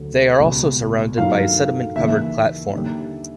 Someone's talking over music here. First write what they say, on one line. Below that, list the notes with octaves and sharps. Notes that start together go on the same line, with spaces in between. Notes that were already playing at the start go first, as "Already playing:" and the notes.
They are also surrounded by a sediment-covered platform.
Already playing: D2 D3 F#3 A3
C#2 B2 G3
G2 D#3 F#3 A3 F5
F5
D#2 C#3 E3 E5
D#2 D3 G3